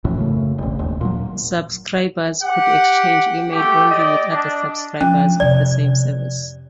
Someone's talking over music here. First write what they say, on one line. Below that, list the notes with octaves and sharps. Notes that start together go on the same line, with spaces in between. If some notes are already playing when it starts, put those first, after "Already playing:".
Subscribers could exchange email only with other subscribers of the same service.
F1 F#2 A2 E3
F#2 C#3 A3
E1 A1
E1 D#2
A#2 F3 F#3
G4 F#5
A3 G4
D5 D#5
D4
F3 C#4
F2 C3 D5